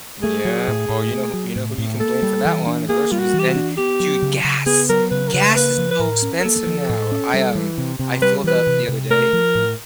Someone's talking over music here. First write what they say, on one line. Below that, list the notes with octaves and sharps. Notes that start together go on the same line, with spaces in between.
Yeah. Well, you know who you know who you can blame for that one, the groceries, and, dude, gas. Gas is so expensive now. I, um, I filled up the other day.
A3 G#4
F#3
A2
A2
A3
F#3
A2
A2
A#3 A4
G3
E3
D4
A#3 G#4
G3 F4
F#4
E3
G4
F#4
D4
B3 G4
F#3
C#3
C#3
B3 G#4
F#3 A#4
C#3 B4
A#4
C#3 B4
A#3 B4
F3
B4
A2 A#4
C#4
A#4
A#3 A4
F3
A2
C#4
G3
E3
C3
C3
G3 B4
E3 B4
C3
C3
A3 A#4
F3
A2